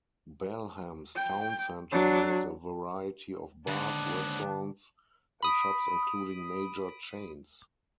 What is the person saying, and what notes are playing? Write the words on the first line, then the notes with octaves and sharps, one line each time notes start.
Balham's town centre has a variety of bars, restaurants and shops including major chains.
G5
F#3 D4
D#2 G#2 D3 B3 D4
B5 D#6 D7